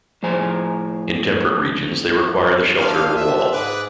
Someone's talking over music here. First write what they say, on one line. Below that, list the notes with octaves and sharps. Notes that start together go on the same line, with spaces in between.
In temperate regions they require the shelter of a wall.
A2 F3 G#4 C5 G#5 A#5
D4 F4 F5
E5
G#2 G#4 B4 D6 F#6